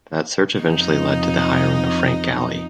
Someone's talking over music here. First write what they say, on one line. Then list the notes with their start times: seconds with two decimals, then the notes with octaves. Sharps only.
That search eventually led to hiring of Frank Galey.
0.61 F2 D#4